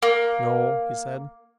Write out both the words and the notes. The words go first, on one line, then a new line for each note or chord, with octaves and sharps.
"No," he said.
A#3